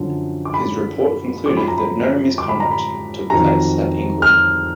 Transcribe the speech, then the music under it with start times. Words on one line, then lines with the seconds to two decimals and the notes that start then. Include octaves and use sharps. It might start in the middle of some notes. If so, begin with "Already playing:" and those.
His report concluded that no misconduct took place at the inquiry.
Already playing: F#2 D3 F3
0.45 D6
0.54 B5
1.46 F#2 F3 D6
1.57 B5
1.68 A#5
1.78 B5
2.38 D6
2.49 B5
2.60 A#5
2.71 B5
3.30 F2 D#3 F#3 A#5
4.22 F6